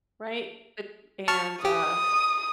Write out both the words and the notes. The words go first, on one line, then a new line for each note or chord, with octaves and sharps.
right, eh and, uh,
A5 C#6 F6
G4 D#6